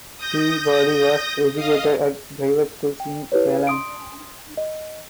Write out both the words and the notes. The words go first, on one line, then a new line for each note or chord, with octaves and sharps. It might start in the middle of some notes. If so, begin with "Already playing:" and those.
Peabody was educated at private schools in Salem.
D#6 G6 A#6
D#5 F5 D#6
G5
E4 G4 B4 C#5
C6 D#6 D7
D#5